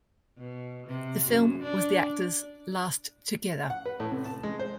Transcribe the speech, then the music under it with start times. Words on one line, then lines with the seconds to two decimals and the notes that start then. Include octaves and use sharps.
The film was the actors' last together.
0.37 B2
0.87 C3
1.27 F#2
1.63 D4
3.70 F#5
3.86 B4
4.00 A2
4.12 C3
4.25 A5
4.43 G#3
4.59 C5